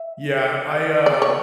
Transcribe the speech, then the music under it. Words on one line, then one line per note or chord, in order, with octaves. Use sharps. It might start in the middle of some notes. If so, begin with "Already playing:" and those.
Yeah. I, uh,
Already playing: E5
D5
C#5